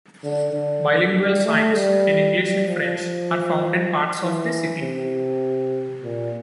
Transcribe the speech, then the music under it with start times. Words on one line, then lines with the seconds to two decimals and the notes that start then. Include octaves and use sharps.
Bilingual signs, in English and French, are found in parts of the city.
0.24 D3
0.53 D3
1.15 G3
1.45 A3
1.75 G3
2.37 G3
2.67 F3
2.98 F3
4.21 E3
4.82 C3
6.03 A#2